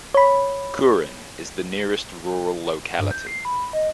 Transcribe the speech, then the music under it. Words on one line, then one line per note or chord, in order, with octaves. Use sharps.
Kurin is the nearest rural locality.
C#5 B5
G2
G6
C7
B5
D#5